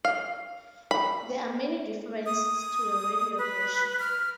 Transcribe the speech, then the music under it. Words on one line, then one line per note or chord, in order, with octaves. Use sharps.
There are many differences to the radio version.
F5
B5
D#6
B4
F6